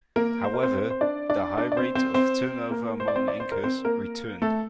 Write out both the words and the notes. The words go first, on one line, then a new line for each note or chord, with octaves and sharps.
However, the high rate of turnover among anchors returned.
A#3 A#4
C5
A#4
C4 C5
C5
D4 D5
D4 D5
D4 D5
D5
C4 C5
C4 C5
C4 C5
A#3 A#4
C5
D5
C4 C5
D5
C5
A#4
C4 C5
A#3 A#4
A3 A4